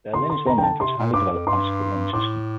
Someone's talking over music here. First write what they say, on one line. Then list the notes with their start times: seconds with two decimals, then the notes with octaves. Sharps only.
Berlin is well known for its highly developed bicycle lane system.
0.14 D3 C6
0.23 C3
0.30 D3 C6
0.46 A#5
0.58 G5
0.63 A5
0.80 C3 C6
0.97 A#2
1.13 G2 D6
1.30 F2
1.47 G2 C6
2.13 A2 D6